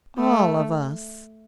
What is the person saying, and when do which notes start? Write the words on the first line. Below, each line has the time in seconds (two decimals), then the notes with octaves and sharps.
"All of us."
0.18 A3